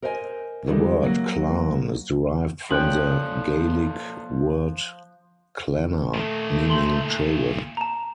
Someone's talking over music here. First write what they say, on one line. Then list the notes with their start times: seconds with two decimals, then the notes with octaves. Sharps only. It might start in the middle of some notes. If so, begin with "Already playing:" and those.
The word "clan" is derived from the Gaelic word "clanna", meaning "children".
0.02 A#4 C5 D#5 E5 G#5
0.67 D#3 E3 G3 G#3 G4 A4
1.03 F#3 A#3
2.71 F3 A#3 C#4 A4 D5 G5 F#6 F#7
6.14 A#2 D#3 A3
6.70 C6 F#7
7.77 A5 A#5